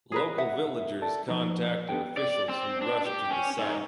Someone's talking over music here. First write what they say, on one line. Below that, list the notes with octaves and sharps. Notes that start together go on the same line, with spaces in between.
Local villagers contacted officials who rushed to the site.
G#4 A#4 B4
E5 F#5
A4 D5 A5
F3 D#4
B3 D4 G4 A4 B4 G5
D5
C4
D4
G4
C#4
G#2